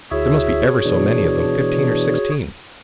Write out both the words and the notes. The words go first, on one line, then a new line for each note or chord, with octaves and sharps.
There must be ever so many of them, fifteen or sixteen.
D2 E4 F#4 G#4 C#5 E5
B2 E3 D4